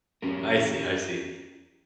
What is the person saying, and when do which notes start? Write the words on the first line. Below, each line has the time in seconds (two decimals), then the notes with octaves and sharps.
I see, I see.
0.22 C#4 F#4 G4 A#4